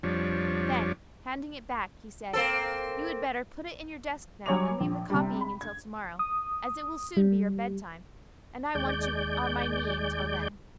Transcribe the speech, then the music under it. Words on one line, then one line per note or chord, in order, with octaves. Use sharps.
Then, handing it back, he said, "You had better put it in your desk now, and leave the copying until to-morrow, as it will soon be your bedtime, and I want you on my knee until then."
F2 F3 G3 D4 C#5
A#3 C4 A4
F#3 G3 C#5 G#5 D6 F7
A#1
C3 G3
B5
G#6
D#6
G3
D#2 G#3 D5 G6